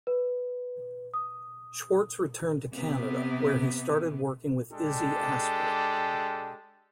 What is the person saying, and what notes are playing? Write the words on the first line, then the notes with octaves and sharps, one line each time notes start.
Schwartz returned to Canada, where he started working with Izzy Asper.
B4
D#6
C3 B3
G#3 D4 G4 A4